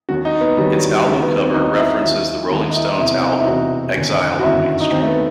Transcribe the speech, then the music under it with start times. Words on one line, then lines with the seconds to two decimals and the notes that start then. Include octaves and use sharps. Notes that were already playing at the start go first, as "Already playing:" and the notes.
Its album cover references The Rolling Stones' album "Exile on Main Street".
0.09 D#2 D#3 F#3 F#4
0.25 D#4
0.41 B3
0.57 D#2 D#3 F#3 G3
0.74 F#3
0.90 G3
1.05 D#2 D#3 F#3 A3
1.22 B3
1.38 C4
1.54 D#2 D#3 F#3 D#4
1.78 E4
2.02 D#2 D#3 F#3 E4
2.50 D#2 D#3 F#3 F#4
2.70 D#4
2.74 E4
2.99 E1 E2 C3 E3 E4
3.21 C4
3.30 D#4
3.39 E4
3.47 E1 E2 C3 E3 F#4
3.95 G1 F#2 D#3
4.39 F#4
4.43 G1 F#2 D#3 E4
4.81 D#4
4.91 D#2 D#3 F#3 C4
5.02 A3
5.08 B3